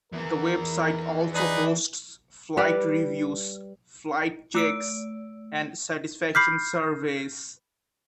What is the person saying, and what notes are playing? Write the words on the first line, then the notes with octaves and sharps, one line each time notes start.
The website also hosts flight reviews, flight checks, and satisfaction surveys.
E2 E3 A#4
D#4 G#4 B4 D5
G3 B4 D5
A3 E6 D7
B5 D6 F6 G6 B6 C7